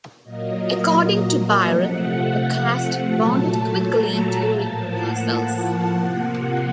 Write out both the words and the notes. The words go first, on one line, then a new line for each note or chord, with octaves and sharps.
According to Byrne, the cast bonded quickly during rehearsals.
A#2 F#3 A#3 D#5
C3 F3 A3 F#5
A#2 F#3 A3 A5
A#5
A2 F3 A#3 A5
F#5
F#5
C3 F3 A#3